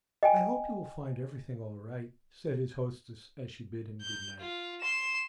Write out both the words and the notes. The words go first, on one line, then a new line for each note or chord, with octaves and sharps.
"I hope you will find everything all right," said his hostess as she bid him good night.
D#5 G5 G#5
G6
F4
C6 E7